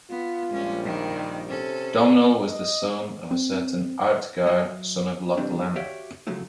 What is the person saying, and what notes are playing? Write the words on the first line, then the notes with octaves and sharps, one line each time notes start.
Domnall was the son of a certain Artgar son of Lochlann.
B3 F4
A#1 G3 G#3 C#4
D#3
C3 C#4 A4
D#5
C4
F#3 D#5 E5
C3 E3 G3 C4 D4
F#4 G4 C#5 D5 E5 F5
C#3 F3 F#3 G#3 A3 E4